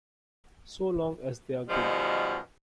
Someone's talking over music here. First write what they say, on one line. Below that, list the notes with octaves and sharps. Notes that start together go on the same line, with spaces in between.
So long as they're good.
F#2 B2 D#3 F3 G3